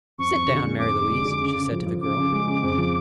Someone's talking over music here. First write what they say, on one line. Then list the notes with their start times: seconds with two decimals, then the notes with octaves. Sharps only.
"Sit down, Mary Louise," she said to the girl.
0.18 F2 C#6
0.34 F2
0.49 D3
0.64 G#3
0.79 F2 D6
0.95 G#3
1.10 D3
1.25 D3
1.41 C#3
1.55 C#3
1.71 F3
1.86 F3
2.01 C#3 D6
2.17 C#3
2.32 G#3
2.47 C#3
2.63 F2
2.78 F3